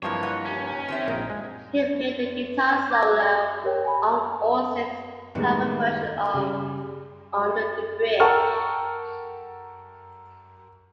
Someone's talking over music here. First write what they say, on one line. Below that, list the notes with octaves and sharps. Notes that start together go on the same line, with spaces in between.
He played the guitar solo on All Saints' cover version of "Under the Bridge".
G2 E3 F3 G3 G#3 A#3 C4 C#5
B4 D#5 F#5
D#2 C#4
D#3 F3 C4 E5
A#1 D#4 A#4
G#3
D6 G6 G#6 A#6
D5
G4 A#4 C#5 G5
G#5 B5
A2 D#3 G3 G#3 A#3 B3
C#3 G3
A4 A#4 F#5 G5 C#6 F6